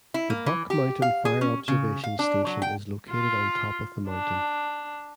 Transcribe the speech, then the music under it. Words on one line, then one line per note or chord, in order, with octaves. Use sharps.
The Buck Mountain Fire Observation Station is located on top of the mountain.
E4
A#3
E3
G4
F5
G#4
C#4
C#3
F5
D4
F#3
G5
F4
D4